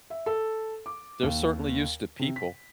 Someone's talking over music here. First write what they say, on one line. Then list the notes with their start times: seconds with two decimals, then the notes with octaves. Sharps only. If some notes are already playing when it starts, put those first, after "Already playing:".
they're certainly used to people.
0.10 E5
0.26 A4
0.86 D6
1.23 D#2
2.19 C3
2.36 B6